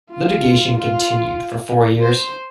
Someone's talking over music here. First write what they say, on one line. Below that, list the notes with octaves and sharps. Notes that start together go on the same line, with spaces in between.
Litigation continued for four years.
F4
F4
C5